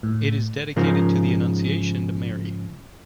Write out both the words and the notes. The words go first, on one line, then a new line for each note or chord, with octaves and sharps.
It is dedicated to the Annunciation to Mary.
A2
G#2 C#3 F3 A#4